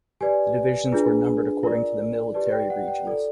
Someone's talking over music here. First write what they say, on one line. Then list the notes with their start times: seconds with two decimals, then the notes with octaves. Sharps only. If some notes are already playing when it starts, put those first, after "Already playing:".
The divisions were numbered according to the military regions.
0.21 G4 B4 D5 G#5
0.92 D4 F4 G#4 B4
1.63 F4 A#4 D5
2.34 G4 B4 D5 A5
2.52 G5
2.70 F#5
2.88 G5
3.05 F4 A4 D5